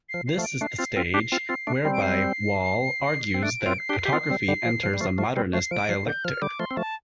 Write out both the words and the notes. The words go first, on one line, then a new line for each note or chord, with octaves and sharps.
This is the stage whereby Wall argues that photography enters a "modernist dialectic".
C7
F3
C7
F3 A3
D7
A3 D4 C7
C4 F4
C4 F4
D4 G4
C4 F4
C4 F4
A3 D4
G3 C4
D7
C7
C4
A3 D4 D7
C4 F4
C7
D4 G4
G4
C4 F4
G3 C4
D3 G3
F3
F3
G3
F3 A3
F3 A3
G3 C4
F3 A3 C7
F3 D7
F3 C7
D3 G6
F3 F6
D3 G3 D6
F3 A3 C6
C4
F3 A3 A5